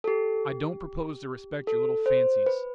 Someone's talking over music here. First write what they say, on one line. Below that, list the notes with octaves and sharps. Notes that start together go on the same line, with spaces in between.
I don't propose to respect your little fancies.
A4
G4
A4
C5
B4